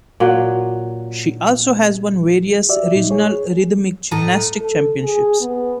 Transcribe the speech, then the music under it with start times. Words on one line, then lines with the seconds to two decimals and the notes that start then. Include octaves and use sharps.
She also has won various regional rhythmic gymnastics championships.
0.20 A#2 F#3
2.69 F#4 G4 D5 E5
2.95 A#2 D#4
3.11 G#4 C#5
4.11 A2 A4 D#5 A#5
4.61 A4
5.04 G#4
5.41 B3